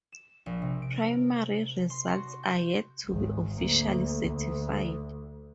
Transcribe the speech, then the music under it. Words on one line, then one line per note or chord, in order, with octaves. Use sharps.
Primary results are yet to be officially certified.
E7
A#1
C3
D7
A#4
C6
F#4
G6
G#1 C#2
D2 A#3
D2